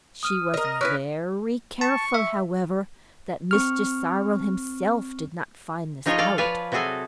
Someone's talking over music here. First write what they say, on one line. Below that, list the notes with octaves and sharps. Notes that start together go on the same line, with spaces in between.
She was very careful, however, that Mr. Cyril himself did not find this out.
D#6 F6 D#7
A#4 D#5
A#6
C#4 E4 B4 F6 F#6 D7
A5 C#6
E5
C4 C#6 F6
F3 D#4 F4 G#4 C#5 D#5
F4 A4 D5 F5 G5
B4 C#5 D5 F5 G#5 A5
C3 F#3 F#4 G#4 A4 G#5